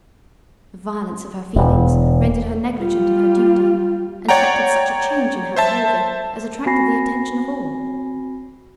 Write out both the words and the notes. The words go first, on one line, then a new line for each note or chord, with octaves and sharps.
The violence of her feelings rendered her negligent of her duty, and effected such a change in her behaviour as attracted the attention of all.
E1
G3 F4
C#5 D5 F#5 G5 A#5
C5 E5 A5
C4 F#4 G#5 B5 A#6 C7